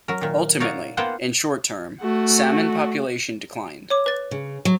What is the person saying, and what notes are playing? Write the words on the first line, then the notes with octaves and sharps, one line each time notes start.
Ultimately, in the short term, salmon population declined.
F#3 A#4
A#2 D#3
D#4 C#5 D5 F5 F#5
A#3 B3 F4 C5 F#5 G5
A3 F#4
C#5 D6
B4 A6
C#3
F#3